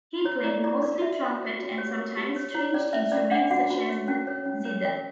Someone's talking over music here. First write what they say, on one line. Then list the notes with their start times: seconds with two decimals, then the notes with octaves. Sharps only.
He played mostly trumpet and sometimes stringed instruments such as the zither.
0.24 E4 C#5
0.44 E4 D5
0.64 E4 D5
0.82 A#4 D5
1.01 F#4 E5
1.21 C#5
1.40 F#4
1.59 F#4
1.78 G4 C#5
1.98 A#4
2.17 G4
2.36 C#5
2.55 E4 C#5
2.74 C#4 D5
2.93 C#4 E5
3.12 C#4 D5
3.31 D4 F#5
3.51 F#4 F#5
3.70 F#4
3.89 C#5
4.08 C#4
4.27 C#5
4.46 C#4
4.65 C#5
4.85 A#4 G5